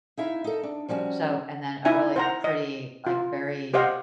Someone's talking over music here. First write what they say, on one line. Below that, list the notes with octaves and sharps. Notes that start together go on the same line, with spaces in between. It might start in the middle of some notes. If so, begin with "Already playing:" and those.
So and then a really pretty, like, very
D#4 E4 E5 F5
D#4 A4
D4
F3 G3 C#4 F#4
D#4 E4 E5 G#5
C5 F#5 A#5
D#5
F4
G4 C5 D#5 F5 F#5